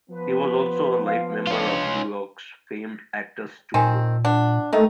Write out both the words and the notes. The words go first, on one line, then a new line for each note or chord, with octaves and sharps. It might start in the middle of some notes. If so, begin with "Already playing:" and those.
He was also a life member of New York's famed Actors Studio.
F3 B3 B4
F5
C#4 D4 F4
A#2 D#3 C4 G#5 A5
D4 F#5
D#3 A3 D#4